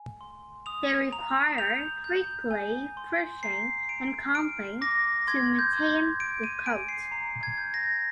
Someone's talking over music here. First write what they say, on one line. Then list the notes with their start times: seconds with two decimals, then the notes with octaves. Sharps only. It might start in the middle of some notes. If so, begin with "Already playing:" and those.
They require weekly brushing and combing to maintain the coat.
Already playing: G#5
0.21 C6
0.66 D#6 F7
1.12 A#5 F7
1.58 G6 F7
2.04 G6
2.51 G#5
2.97 C6
3.43 A#5 C7
3.89 A#5 D7
4.35 F6 D7
4.81 D6 A#6
5.27 C6 G#6
5.59 G6
5.73 C6
6.20 G6 D7
6.44 D#7
6.66 G#5 D7
6.89 C7
7.12 A#5 C7
7.43 G#6
7.58 G6
7.74 A#6